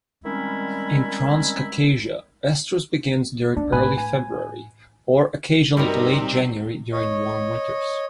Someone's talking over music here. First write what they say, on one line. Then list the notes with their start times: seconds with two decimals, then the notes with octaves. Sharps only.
In Transcaucasia, estrus begins during early February, or occasionally late January during warm winters.
0.24 D#3 G3 G#3 C4 C#4 E4
3.57 A#3 B3 D4
3.72 A2 B4 G#5
3.98 G#5
5.77 G2 C3 G3 D#4 F#4 A#4
6.92 C#5 D#5